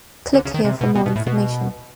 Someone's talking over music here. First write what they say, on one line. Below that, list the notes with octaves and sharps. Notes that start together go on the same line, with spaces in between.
Click here for more information.
D3
C#3
D#3
C3
B2
B2
B2
A2
B2